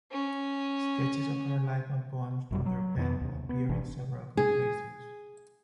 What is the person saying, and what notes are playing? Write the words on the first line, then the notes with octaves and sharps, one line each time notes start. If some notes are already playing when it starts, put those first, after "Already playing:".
Sketches of her life and poems from her pen appear in several compilations.
C#4
G#1 F#2 G3
F#3
F2 D#3 A#3 B3
D#2 C3
B3
G#1 E3 D4
G#4